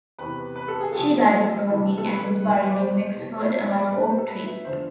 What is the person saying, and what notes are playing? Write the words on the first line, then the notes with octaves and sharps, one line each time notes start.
She died of longing and was buried in Wexford among oak trees.
E2 C3 E3 B4
B4
A4
G#4
C2 C3 F3 A3 A4
D2 C3 E3 G#3
A4
B4
E2 B2 G#3
D5
C5
C2 B2 A3
E5
D5
D5
A2 G#3 B4
C5
A4
B4
E5
E2 D3 F3 G#3 C5